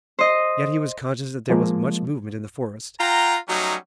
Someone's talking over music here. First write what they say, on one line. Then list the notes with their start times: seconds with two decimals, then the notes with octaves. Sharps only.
Yet he was conscious that there was much movement in the forest.
0.19 C5 D#5
1.50 F3 G#3 A#3
3.00 F4 F#5 G5 A#5
3.48 F#3 G3 A3 C#4 D#4